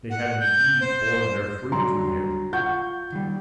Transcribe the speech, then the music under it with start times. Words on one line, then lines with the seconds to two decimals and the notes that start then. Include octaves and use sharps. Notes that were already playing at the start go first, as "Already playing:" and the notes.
They had indeed borne their fruit to him.
0.10 F#5
0.40 G6
0.80 C5
1.72 D3 F#3 G3 A#5 C6
2.53 F4 F#5 C#6 G6
3.12 D#3 G3